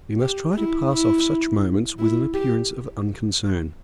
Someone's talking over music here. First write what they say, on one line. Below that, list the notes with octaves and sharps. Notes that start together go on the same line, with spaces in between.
We must try to pass off such moments with an appearance of unconcern.
G4
E4
E4
E4
G4